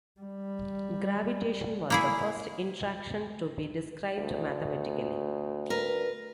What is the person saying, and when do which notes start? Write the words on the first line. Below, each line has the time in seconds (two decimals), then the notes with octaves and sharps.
Gravitation was the first interaction to be described mathematically.
0.21 G3
1.90 A#3 E4 G#4
4.17 D2
5.70 A#4 B4